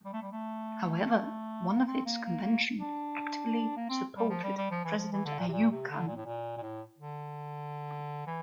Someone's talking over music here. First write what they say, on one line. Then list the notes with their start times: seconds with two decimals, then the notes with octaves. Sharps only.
However, one of its convention actively supported President Ayub Khan.
0.05 G3
0.13 A3
0.22 G3
0.32 A3
1.69 A#3
1.87 C4
2.06 A#3
2.24 A#3
2.43 A#3
2.79 D4
3.76 A#3
3.89 C4
4.16 G3
4.29 F3
4.44 G3
4.57 G3
4.71 F3
4.85 E3
4.98 F3
5.12 E3
5.25 D3
5.39 A#2
5.48 C3
5.53 A#2
5.71 C3
5.90 D3
6.07 A#2
6.17 A2
6.26 A#2
6.57 A#2
6.62 A2
6.99 D3
8.27 E3